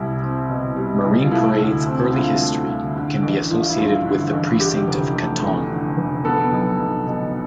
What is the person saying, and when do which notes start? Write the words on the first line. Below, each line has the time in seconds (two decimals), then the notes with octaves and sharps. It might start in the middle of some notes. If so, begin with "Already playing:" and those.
Marine Parade's early history can be associated with the precinct of Katong.
Already playing: C2 G3 E4
0.22 C4
0.49 B2
0.76 G3
1.04 C2
1.22 F4
1.31 A3 E4
1.59 D2
1.86 C4
2.13 D3 F4
2.41 A3
2.68 D2
2.96 D3
3.23 A1
3.51 F3
3.70 E4
3.78 G2 F4
4.05 D3
4.33 A1
4.60 D3 G4
4.87 F1
5.15 A3
5.42 E2
5.70 D3
5.97 F1
6.25 B3 A4
6.52 B1
6.79 B1
7.07 B2